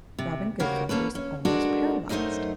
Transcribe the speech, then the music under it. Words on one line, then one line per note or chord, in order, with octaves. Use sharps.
Robin Goodfellow was almost paralyzed.
C3
C#3 C#4 F#4 G4 A#4 C5
A#3 C#4 A4 B4
C#4
G#3 D4 F#4 A4 A#4
F#2 A3 D#4 G#4 C5 D#5